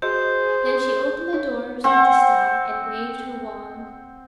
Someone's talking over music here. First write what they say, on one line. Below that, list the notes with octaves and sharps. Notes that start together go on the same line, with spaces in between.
Then she opened the doors of the sty and waved her wand.
F#4 G#4 C5 D#5 G6
D#4 C#5
C4 F#5